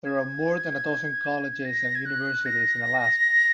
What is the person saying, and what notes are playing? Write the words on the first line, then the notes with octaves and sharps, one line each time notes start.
There are more than a dozen colleges and universities in Alaska.
G#6
A#6
G#6
F#6
A#6